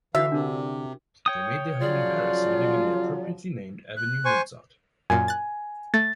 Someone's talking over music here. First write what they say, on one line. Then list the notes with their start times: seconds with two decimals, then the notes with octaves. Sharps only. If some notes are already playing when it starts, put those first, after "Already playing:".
They made their home in Paris, living in the appropriately named Avenue Mozart.
0.15 D3 E3 E4 F#4 E5 F5
0.32 C3 D4 A#4
1.26 C#5 G5 D#6
1.81 C#3 F3 F#3 F4 D5
3.96 F#6
4.25 C5 G#5 C#6
5.10 F#2 A#2 G#5
5.28 F#6 A6
5.94 A3 A6